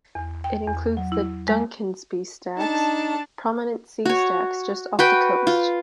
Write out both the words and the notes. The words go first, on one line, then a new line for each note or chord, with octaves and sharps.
It includes the Duncansby Stacks, prominent sea stacks just off the coast.
E2
G5
E2
F#3
E4
G#3
D4 D#4 A4 A5
F#4 C#5
F#4 B4 G5
F4